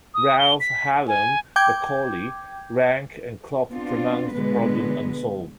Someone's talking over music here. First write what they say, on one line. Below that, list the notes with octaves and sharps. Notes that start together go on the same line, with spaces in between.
Ralph, Hallam, Macaulay, Ranke, and Klopp pronounce the problem unsolved.
D#6
G7
B6
G#5
G5 D6 G6 G#6
B3 C4 D4 F4
B2 D3 G#3 B3 B4